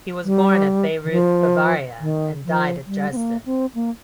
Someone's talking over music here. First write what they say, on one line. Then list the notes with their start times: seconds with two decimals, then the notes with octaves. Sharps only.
He was born at Bayreuth, Bavaria and died at Dresden.
0.24 G3
1.04 D#3
1.11 F3
2.00 D#3
2.44 F3
2.87 G3
3.12 C4
3.16 A#3
3.45 C4
3.75 A#3